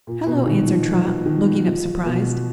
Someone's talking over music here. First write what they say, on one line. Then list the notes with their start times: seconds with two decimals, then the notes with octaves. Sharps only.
"Hello," answered Trot, looking up surprised.
0.07 A#2
0.27 B2
0.46 D#3
0.66 F3
0.86 F3
1.26 D#3
1.66 F3
2.05 B2